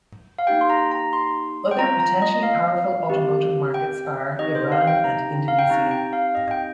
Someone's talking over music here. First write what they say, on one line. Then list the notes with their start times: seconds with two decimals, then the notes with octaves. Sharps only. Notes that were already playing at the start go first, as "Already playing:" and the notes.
Other potentially powerful automotive markets are Iran and Indonesia.
0.39 F5
0.47 A#3 D#4 G4 G5
0.61 C6
0.70 A#5
0.91 A#5
1.13 C6
1.71 G5
1.78 C4 F4 A#5
2.00 A#5
2.22 D#5
2.43 F5
3.09 C4 G4
3.74 G5
4.39 C4 D#4 G4 D#5
4.55 C5
4.72 F5
4.87 G5
5.04 A#5
5.48 F5
5.59 G5
5.69 C4 D#4 G4 A#5
5.91 G5
6.13 F5
6.35 D#5
6.51 G5